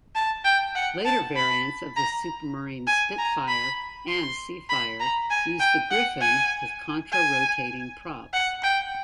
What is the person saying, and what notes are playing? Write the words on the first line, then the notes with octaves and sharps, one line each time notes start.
Later variants of the Supermarine Spitfire and Seafire used the Griffon with contra-rotating props.
A5
G5
F#5
A5
B5
A#5
G#5
A#5
B5
C6
B5
A#5
G#5
G5
F#5
G#5
G#5
F#5
G5